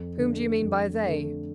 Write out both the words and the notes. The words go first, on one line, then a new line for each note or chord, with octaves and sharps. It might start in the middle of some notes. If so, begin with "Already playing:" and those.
"Whom do you mean by they?"
Already playing: F2
D3 A3
F2
D3 A3